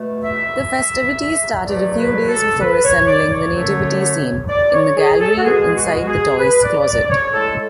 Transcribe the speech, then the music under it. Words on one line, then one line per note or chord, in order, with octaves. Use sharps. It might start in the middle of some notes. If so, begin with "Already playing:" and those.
The festivities started a few days before assembling the nativity scene, in the gallery, inside the toy’s closet.
Already playing: B2 A3
E5
E2 B2 F#3 A3 D5
B4
A4
B4
C#5
D5
C#5
F#2 D3 A3
D5
C#5
G#4
A4
F#4
B2 G#3 G#4
F#4
G#4
F#4
G#4
B4
D5
D5
D5
C#5
A2 G#3 A4